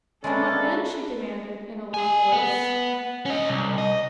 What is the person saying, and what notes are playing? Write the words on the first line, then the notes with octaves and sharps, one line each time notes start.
"And what then?" she demanded, in a low voice.
G#3 A#3 C#4 D4 A4 B4 E5 A5
G4 G#5
B3
C#4 D#5
C2
D#5